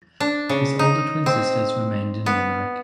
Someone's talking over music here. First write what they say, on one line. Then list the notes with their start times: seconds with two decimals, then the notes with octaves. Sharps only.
His older twin sisters remained in Limerick.
0.20 D4
0.49 C#3
0.79 D#4
1.26 C4
2.26 B3